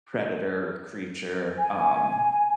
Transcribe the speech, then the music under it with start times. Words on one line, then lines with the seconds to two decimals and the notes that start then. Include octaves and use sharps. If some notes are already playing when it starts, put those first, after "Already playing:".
predator or creature, um,
1.58 G#5